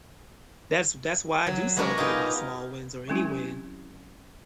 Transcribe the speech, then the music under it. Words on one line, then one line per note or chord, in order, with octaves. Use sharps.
that's that's why I do celebrate my small wins or any win
F#3
G#3 B3 D4 F#4 A#4
D#4 F4 G4 G#4
F#3 G#3 C4 C#4 E4 G4